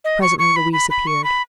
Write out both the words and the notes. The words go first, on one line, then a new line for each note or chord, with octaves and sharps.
Presently Louise appeared.
D#5
C#6
C#6
B5
B5
B5
C#6
B5